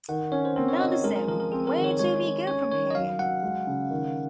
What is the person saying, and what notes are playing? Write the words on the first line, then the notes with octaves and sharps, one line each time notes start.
Another song, Where Do We Go From Here?
D#3 F#5
C#4 C#5
C5
C4 A#4
C#5
D#4 D#5
C#5
G#3 A#4
A#4
F3 A#4
A#4
C4 G#4
A#4
D#3
C#5
G#3 C#5
G#3
C#4 C#5
D#3 C#5
D#5
F#3 F5
F#3 F#5
G#3
C#3
D#3